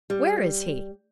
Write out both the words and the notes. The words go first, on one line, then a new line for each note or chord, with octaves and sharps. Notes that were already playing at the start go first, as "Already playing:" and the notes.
"Where is he?"
G3